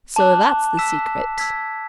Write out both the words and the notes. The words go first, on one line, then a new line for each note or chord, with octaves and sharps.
So that's the secret.
A5 D6 F#6
E6 B6 E7
E6 G#6 B6